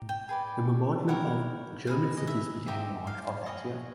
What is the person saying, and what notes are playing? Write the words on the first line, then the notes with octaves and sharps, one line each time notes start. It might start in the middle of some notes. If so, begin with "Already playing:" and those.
The bombardment of German cities began in March of that year.
Already playing: D#4 G4
G5
G#4 B4 D5
E4 G4 A#4 C#5 F#5
D#4 G#4 B4 D#5 F5
D#5
E5
D#4 G4 C5 D#5 E5
F5
G#4 C#5 D#5